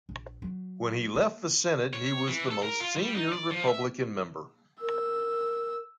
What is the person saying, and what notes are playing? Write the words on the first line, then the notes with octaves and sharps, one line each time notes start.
When he left the Senate, he was its most senior Republican member.
A#1
F#3
A#3
C#5
E3
A4
A#4
F4
G3
D#4
D5
F3
E5
A#4 E6